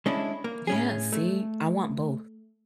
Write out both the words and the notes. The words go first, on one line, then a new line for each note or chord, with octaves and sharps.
Yeah, see. I want both.
G#3 C#4 D4 E4
A#3
A2 C#4 G#4
A3